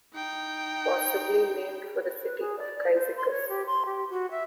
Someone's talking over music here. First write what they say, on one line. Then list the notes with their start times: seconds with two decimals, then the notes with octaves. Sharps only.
Possibly named for the city of Cyzicus.
0.13 D#4 G5
2.24 B4
2.40 G#4
2.59 D5
2.78 D5
2.95 C5
3.17 C6
3.30 C#5
3.49 G4
3.66 C6
3.86 G4
4.10 F#4
4.31 E5